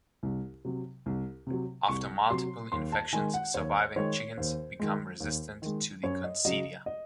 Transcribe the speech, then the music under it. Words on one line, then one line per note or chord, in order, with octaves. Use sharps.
After multiple infections, surviving chickens become resistant to the coccidia.
C2
C3 F#3
C2
C3 F#3
C2 C#6
C3 F#3 C6
D#2 C6
A5
D#3 G#3 G#5
F#5
D#2 C#5
D#3 G#3 C#5
D#2 C5
D#3 G#3
D#2
D#3 G#3
F#2 C#5
D#5
C#3 F#3 D#5
D#5